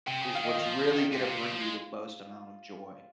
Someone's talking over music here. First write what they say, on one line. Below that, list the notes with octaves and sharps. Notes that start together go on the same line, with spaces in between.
is what's really gonna bring you the most amount of joy,
C3 G5
C#3
D#3 F5
D#5
D#3 F4
F3
D#3
G#2 G4
C3 F4
C#3
F3
G#3